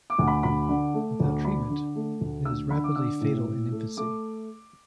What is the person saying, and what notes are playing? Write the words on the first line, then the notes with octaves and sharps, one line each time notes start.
Without treatment, it is rapidly fatal in infancy.
D6
D2
B5
D2 B5
D3
A3
D2
D4 B5
D3
A3
D2
D4 E6
D3 B5
D6
D4 E6
A2
A2
A3
A3 D6